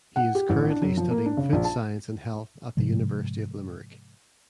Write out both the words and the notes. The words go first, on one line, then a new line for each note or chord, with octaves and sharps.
He is currently studying food science and health at the University of Limerick.
F#5
G4
A1
D4
F#2
F3
A#3
D4
C#3
A#1
A5
G#2 C3 F3 G#3